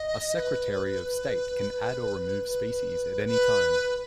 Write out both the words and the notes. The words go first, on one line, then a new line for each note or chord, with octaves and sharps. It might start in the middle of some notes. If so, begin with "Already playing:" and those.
A secretary of state can add or remove species at any time.
Already playing: D#5
B4
B4